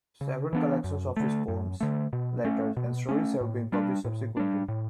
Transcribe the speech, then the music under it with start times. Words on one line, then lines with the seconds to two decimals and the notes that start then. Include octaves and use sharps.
Several collections of his poems, letters and stories have been published subsequently.
0.21 C#3
0.53 E3 B3 D4
0.84 F#2
1.17 D3 A3
1.48 F#2
1.81 D3 A3
2.13 B2
2.45 A3 C#4
2.77 B2
3.09 A3 C#4
3.41 A2
3.72 G3 D4
4.05 A2
4.37 G3 D4
4.68 A2